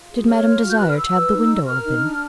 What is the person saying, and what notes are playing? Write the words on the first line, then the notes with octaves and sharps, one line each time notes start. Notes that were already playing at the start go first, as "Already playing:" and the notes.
Did madame desire to have the window open?
Already playing: F4
G#4
C#5 F6
F4
F#4
G6
B4 F#6
F6
F#4 E6
B4
D#4
F#4
A#4 F6
D#4
D4